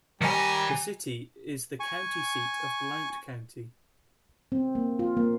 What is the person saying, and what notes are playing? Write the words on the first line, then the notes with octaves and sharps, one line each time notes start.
The city is the county seat of Blount County.
D#3 G3 G#5 A#5
G#5 C#6
C4
A#3
F4
A#3